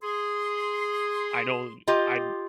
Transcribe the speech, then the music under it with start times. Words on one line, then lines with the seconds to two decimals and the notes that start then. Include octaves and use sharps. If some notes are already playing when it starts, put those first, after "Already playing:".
I know, I
0.02 G#4 C6
1.87 F4 G4 D#5